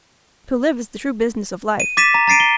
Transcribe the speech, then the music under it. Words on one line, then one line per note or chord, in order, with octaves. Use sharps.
To live is the true business of life.
D#7
D6 A6 B6 D#7 E7
A#5
A#5 A6 C7 D7 D#7
G7